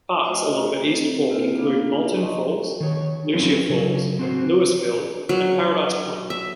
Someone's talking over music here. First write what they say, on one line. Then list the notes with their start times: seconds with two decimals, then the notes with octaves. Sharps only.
Parks along the East Fork include Moulton Falls, Lucia Falls, Lewisville, and Paradise Point.
0.24 A3 F4 F#4 C5 D#5 E5
0.87 C4 A4 C5
1.30 A#3 C4 E4 F4 G4 C5
1.58 A#3 B3 D4 F4 G#4 F5
2.16 D#4 D#5 A5 A#5 C6 C#6
2.80 D#3 C#5
3.33 F3 F#3 C4 C#4 F4 B4
3.69 C#3 F#3
4.19 C4 F#4 C5
5.29 F#3
6.30 E5